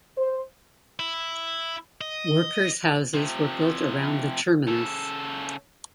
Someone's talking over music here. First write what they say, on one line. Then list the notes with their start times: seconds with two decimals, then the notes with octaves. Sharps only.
Workers' houses were built around the terminus.
0.18 C5
0.99 E4
2.01 D#5
3.14 C3 F3
4.67 C#3 A4